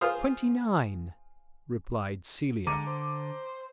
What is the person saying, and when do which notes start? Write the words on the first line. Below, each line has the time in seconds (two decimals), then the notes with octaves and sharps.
"Twenty-nine," replied Celia.
0.01 F4 G#4 C5 F5 D#6 F6
2.67 D3 G#3 A#5 D6 D#7
2.87 C5